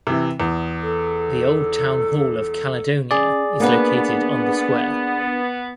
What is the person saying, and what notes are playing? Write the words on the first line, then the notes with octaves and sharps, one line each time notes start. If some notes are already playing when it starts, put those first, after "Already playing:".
The Old Town Hall of Caledonia is located on the square.
C3 E3
E2
A4
C#4 G#4 D5
A#3 B3 D4 B4